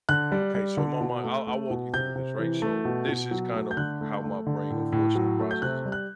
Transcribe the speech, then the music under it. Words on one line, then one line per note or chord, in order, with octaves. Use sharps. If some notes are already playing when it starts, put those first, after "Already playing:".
okay, so in my mind, I I'll walk you through this, right? So this is kind of how my brain unfortunately processes it.
D3 F#6
G3
G3
D3
B2
A3
A3
B2
C3 G6
C3
E3
A3
B2
B2
F#3
A3
G6
D3 F#6
A3
A3
D3
A2
A2
F#3
A3
G6
C3 F#6
G3
F#6